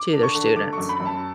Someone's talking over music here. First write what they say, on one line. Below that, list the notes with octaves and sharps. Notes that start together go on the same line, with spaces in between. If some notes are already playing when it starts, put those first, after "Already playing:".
to their students.
Already playing: D6
D3
C#6
D3
D3 D6
F#2 C#6
B5
F#2
A5